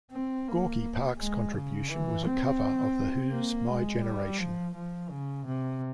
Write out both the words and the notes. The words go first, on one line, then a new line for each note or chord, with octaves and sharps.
Gorky Park's contribution was a cover of The Who's My Generation.
C4
A#3
G#3
C#3
E3
C4
A#3
G#3
G3
F3
F3
C#3
C3